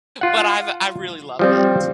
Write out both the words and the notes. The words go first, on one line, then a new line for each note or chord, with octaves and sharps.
but I've I've really loved it.
F4 F#5
F3 G3 C4